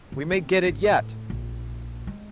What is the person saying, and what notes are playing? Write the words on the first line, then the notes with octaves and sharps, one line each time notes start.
"We may get it yet!"
D3
C4
G#1
A2
A#1
G#3